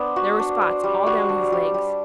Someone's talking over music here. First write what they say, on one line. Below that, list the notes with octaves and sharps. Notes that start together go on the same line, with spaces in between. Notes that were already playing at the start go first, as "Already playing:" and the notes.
There were spots all down his legs.
Already playing: B3 D4 C5
F#4
D4
C5
G3
F#4
D4
G3
G3